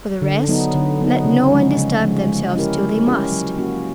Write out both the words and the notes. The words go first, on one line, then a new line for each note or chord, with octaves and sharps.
For the rest--let no one disturb themselves till they must.
D3
F#3 B3 D#4
D3
F#3 B3 D#4
C#3
F3 G#3 C#4
C#3
F3 G#3 C#4
G#3
C#4 E4 G4 A#4
G#3
C#4 E4 G4 A#4
F#3
A#3 C#4 F#4